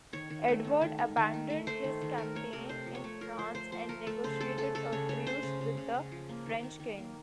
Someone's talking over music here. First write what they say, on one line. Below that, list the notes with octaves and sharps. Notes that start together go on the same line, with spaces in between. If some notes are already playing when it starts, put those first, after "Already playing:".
Edward abandoned his campaign in France and negotiated a truce with the French king.
D#3 C#5
D#3
A3
D#3
D#3
D#3
D#3
A3
A3
A3 C5
D#3
D#3
A3 A#4
A3 C#5
C3 A#4
C3 C5
F3
C#5
A3
F3 A#4
F3 C5
A3 C5
F3 C5
A3 A#4
A3 A4
C#3 C5
A3 A4
A3 A4
C#3 A4
C#3 C#5
A3 C#5
C#3 C5
C#3
C#3
C#3
C#3
F3
A#3
D#3
D#3
D#3
A#3